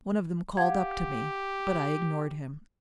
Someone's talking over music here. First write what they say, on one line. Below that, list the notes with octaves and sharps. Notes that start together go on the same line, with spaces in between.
One of them called up to me, but I ignored him.
G4 F5 F#5 G#6